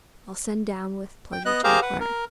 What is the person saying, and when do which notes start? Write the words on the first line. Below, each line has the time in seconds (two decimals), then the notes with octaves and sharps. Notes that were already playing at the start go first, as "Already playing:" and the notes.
I'll send down with pleasure to enquire.'
1.32 G5
1.45 B3 D#5 F#6
1.64 G4 G#4 A#4 C5 F5 A#5
1.82 B4 F#5
2.00 A#4